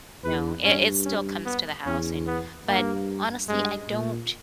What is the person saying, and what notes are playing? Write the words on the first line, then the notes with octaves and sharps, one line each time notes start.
you know, it it still comes to the house, and but, honestly, I don't
E2 B4
G2 C#4
C#4
B3
E2 C#4
B3
G2 A#3
G2 G#3
A#2